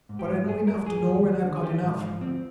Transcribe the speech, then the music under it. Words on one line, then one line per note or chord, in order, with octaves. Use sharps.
But I know enough to know when I've got enough.
G#2
G4
G3
G2 G#4
G2 A#4
G2 G#4
D#2
D#2
D3
G#4
F3 G4
G#2
F3
D2 C4